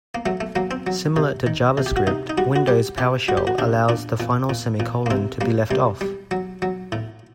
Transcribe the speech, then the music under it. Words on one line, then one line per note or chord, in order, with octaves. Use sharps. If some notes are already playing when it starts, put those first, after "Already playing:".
Similar to JavaScript, Windows PowerShell allows the final semicolon to be left off.
A#3
F#3 A3
A3
F#3 A#3
C4
F#3
C3
D#3
C3
G4
F#4
C3 D#4
D#4
G3 F#4
F#4
G3 G4
C3 G4
G3 F#4
G4
F#4
C3 D4
A#2 D4
A#2
A#2
A#2
A#3
C3 C4
G3 A#3
C3 G3
G3
F#3
F#3
A2